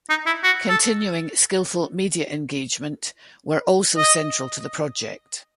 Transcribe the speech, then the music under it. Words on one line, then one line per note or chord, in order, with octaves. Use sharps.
Continuing skilful media engagement were also central to the project.
D#4
E4
F#4
A4
D#5